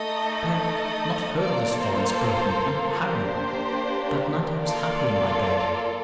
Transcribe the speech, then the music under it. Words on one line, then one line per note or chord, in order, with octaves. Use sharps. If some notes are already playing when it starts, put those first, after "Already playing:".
But I had not heard of this Florence Burton; and, Harry, that night I was happy in my bed.
Already playing: A3 D#4 A4 D#5
D#5
A#3 F4 A4 D5
C5
A#3 D4 G4 C5
A#3 F4 A4 D5